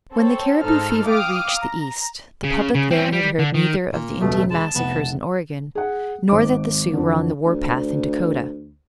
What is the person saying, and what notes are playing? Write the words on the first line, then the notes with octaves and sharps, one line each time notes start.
When the Cariboo fever reached the East, the public there had heard neither of the Indian massacres in Oregon nor that the Sioux were on the war-path in Dakota.
C4 A4 C5 C#5
G#2 D#4 A4 C5 F6
F5 G5 D6 D#6 F6
A#5
C#3
C#3
C4 C#4
G3
D3
D#3
A#2
E1 C#2 B2 A3 D#6
G#3 A5
F1 C2 B3 F#5
G#4 F#5
G#1 D6
F2 D3
D2